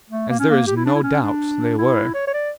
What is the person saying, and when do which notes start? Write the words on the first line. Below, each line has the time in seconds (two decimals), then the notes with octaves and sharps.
As there is no doubt they were.
0.10 A3
0.30 A#3
0.39 C#4
0.50 A#3
0.67 G4
0.76 E4
0.85 D4
0.95 E4
1.03 C#4
1.23 D4
1.78 E4
2.14 C#5
2.27 C#5
2.34 D5